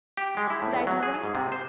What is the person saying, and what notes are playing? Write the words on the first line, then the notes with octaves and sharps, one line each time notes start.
Did I do right?
G4
G#3
E4
A2
E2
F#3
G#4
G#2
C3
C5